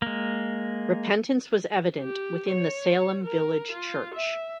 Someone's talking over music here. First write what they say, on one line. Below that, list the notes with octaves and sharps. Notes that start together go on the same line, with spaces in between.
Repentance was evident within the Salem Village church.
G#3 A#3
G4
C#5
A#4
F4
E5